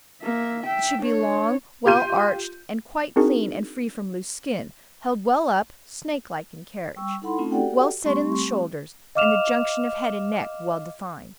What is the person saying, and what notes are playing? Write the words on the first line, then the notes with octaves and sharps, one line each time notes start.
It should be long, well arched, and quite clean and free from loose skin, held well up, snakelike in carriage, well set in the shoulders, and the junction of head and neck well defined.
A#3 E5
E5 G5
D4 C#5
F4 G4 C6 G6 D#7
C4 D4 D#4 F#4 G#4 A#4
G3 G5 C#6 E6
D#4 E4 A4 F#5 B5 C6
A3 C4 C#4 D#4 F4 A4
F#4 G4 A4 D5 F#5 G5
G3 A3 C4 G4 C6 C#6
D#5 F5 D6 F6 E7 F7